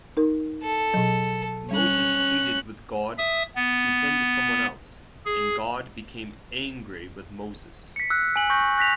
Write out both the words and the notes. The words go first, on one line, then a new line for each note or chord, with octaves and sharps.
Moses pleaded with God to send someone else, and God became angry with Moses.
D#4 A#4
A4
B2 F#3
G3 C#4 F#6
E5 D#6
B3
G#4
B6 C#7
E6 F#6
G#5 F#7
C#6 G6 A#6
F#6 A#6 B6 F7